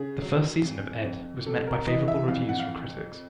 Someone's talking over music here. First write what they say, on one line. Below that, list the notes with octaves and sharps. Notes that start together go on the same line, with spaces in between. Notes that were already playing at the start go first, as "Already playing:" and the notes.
The first season of "Ed" was met by favorable reviews from critics.
Already playing: C#3 G#4
F#3
F2
F2
C3 A4
A#4
E3 D#5
E5
F2 F5
F#5
F5